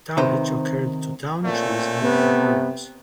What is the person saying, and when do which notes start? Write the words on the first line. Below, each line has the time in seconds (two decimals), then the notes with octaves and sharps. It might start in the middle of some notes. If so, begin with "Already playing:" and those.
Damage occurred to downed trees and wooden homes.
0.17 C3 D#3 B4 C5
1.45 A#2 A3 C4 C#4
2.02 C3 B3